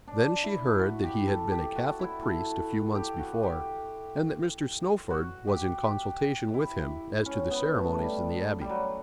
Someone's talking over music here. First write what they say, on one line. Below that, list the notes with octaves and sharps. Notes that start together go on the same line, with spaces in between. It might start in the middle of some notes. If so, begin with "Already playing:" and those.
Then she heard that he had been a Catholic priest a few months before, and that Mr. Snowford was in consultation with him as to the ceremonies in the Abbey.
D4
E4
F#4
G4
A4
G4
F#4
E4
A4
G4
F#4
G4
F#4
G4
G4
E4
C#4
B3
A3
G3
G3
F#3